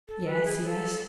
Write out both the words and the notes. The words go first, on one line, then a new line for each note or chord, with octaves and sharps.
"Yes, yes."
A4
B4
G#4
G#4
A4